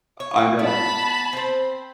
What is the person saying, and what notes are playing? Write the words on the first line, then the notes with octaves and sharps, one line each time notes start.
I know.
C#5
B3 A5 B5
C4 C5